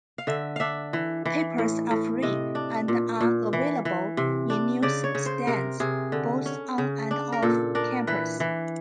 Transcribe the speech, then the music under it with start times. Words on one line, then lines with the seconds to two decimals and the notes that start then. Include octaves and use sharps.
Papers are free, and are available in news-stands both on and off campus.
0.18 F5
0.27 D3 E5
0.56 D4 E5 F5
0.93 E3
1.26 E3
1.58 A2
1.91 A2
2.22 C3 D#5
2.55 D4
2.88 A#2
3.21 A#2
3.53 E3
3.85 E3
4.17 C3
4.50 D4
4.83 C#3 D5
5.04 C#5
5.15 C#3
5.26 C5
5.47 C3 A#4
5.80 C3 G#4
6.12 D3
6.46 C#4
6.78 C#3
7.11 D4
7.32 A#4
7.42 A#2 A4
7.75 D4 A#4
8.07 E3 B4
8.40 E3